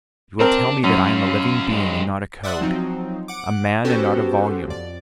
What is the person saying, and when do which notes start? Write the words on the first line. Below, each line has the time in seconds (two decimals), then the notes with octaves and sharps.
You will tell me that I am a living being, and not a code--a man, and not a volume.
0.40 C4 D4 A#4
0.84 F#2 C#4 F4
1.70 G2 G#3
2.43 D5 E5 F#5 C6 D#6
2.60 F3 F#3 C4 D#4
3.28 F#5 D6
3.85 B3 C#4 F#4 G4 A4 C5
4.68 F2 D5